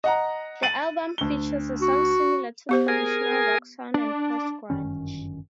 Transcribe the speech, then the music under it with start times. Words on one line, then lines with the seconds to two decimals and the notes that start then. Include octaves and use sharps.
The album features a sound similar to traditional rock sound and post-grunge.
0.04 D#5 F#5 A#5
0.63 A6 D#7 F#7
1.18 D2 G7
1.81 F#4
2.69 B3 G4 C5
2.88 G#4 A#4 G#5
3.94 D4
4.70 G1 F#2 D#3 C#4